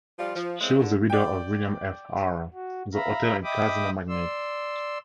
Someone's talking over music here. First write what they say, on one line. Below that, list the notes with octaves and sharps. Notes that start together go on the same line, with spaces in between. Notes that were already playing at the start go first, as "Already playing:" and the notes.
She was the widow of William F. Harrah, the hotel and casino magnate.
F3 G3 F4
F3
E2 A2 G#3 A#3 C4
E2 D3
D5 G5
F#4
E5 F5 A#5 B5
D#5 E5 G5 B5 D6 D#6
D5 C6 E6